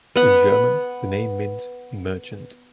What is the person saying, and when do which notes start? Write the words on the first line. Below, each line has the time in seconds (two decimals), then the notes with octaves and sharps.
In German, the name means "merchant".
0.16 B3 F#5